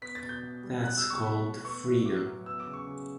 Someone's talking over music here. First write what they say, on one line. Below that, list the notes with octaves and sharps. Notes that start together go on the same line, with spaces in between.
That's called freedom.
B3 B6
A6
B2
G6
B2
G3
B2 F#6
E6
B2
C#6
A3 B5
A3
B3 C#6
A2
A2 D6
F#3
B3 E6
D6
C#3
C#6
C#3